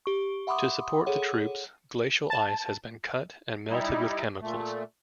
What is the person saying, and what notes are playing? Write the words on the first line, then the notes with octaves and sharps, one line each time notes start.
To support the troops, glacial ice has been cut and melted with chemicals.
G4 C#6
E5 F#5 B5 C6 D6 D#6
G#4 A4 C#5 F#5
A5
G3 D#4 E4
A#2 A3